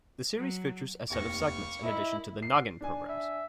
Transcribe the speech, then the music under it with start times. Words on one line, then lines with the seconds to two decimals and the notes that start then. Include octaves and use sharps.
The series features a set of segments in addition to the "Noggin" programs.
0.36 F#3
1.10 F1 D#2 G3 F5 C#6 A#6
1.84 E4 A#4 D#5 E5
2.43 C7
2.81 D4 G#5
3.09 E5